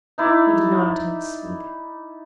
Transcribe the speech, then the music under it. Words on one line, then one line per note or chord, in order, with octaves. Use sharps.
He did not attempt to speak.
D#4 E4 D5 D6